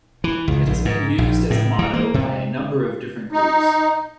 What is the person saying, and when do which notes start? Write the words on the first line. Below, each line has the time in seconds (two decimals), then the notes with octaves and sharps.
It has been used as a motto by a number of different groups.
0.24 E3
0.48 C#2
0.67 A#1
0.85 G#2
1.18 A#1
1.50 A2
1.79 E3
1.94 A#3
2.14 C3
3.32 D#4